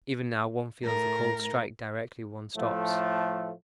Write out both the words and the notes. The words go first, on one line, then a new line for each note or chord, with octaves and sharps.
Even now one feels the cold strike directly one stops.
A2 A#4
A2 F3 A3